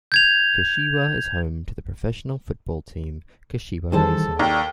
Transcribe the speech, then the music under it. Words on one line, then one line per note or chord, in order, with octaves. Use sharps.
Kashiwa is home to the professional football team Kashiwa Reysol.
G6 G#6 F7
D#3 E3 G3 G#4 A4 C5 A5
D#2 D5 G5 A#5